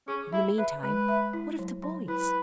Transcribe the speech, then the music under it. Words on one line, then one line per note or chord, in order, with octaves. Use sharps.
In the meantime, what of the boys?
C#4 G#4
E4 E5
B4 E5
G#3 B4
E5
E4
F#3
F#3
E4 B4